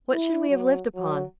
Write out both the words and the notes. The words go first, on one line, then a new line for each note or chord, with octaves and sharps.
What should we have lived upon?
E4
F#3
F#3